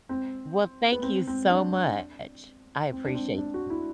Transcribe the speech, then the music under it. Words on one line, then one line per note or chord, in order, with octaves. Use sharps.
Well, thank you so much, I appreciate you.
C4
B3
C4
C4
D4
C4
D4
C4
D4
F#4
E4